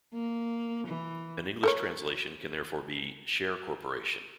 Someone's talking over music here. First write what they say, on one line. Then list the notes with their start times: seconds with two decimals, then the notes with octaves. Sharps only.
An English translation can therefore be "share corporation".
0.14 A#3
0.87 E3
1.63 A4 A#4 C#5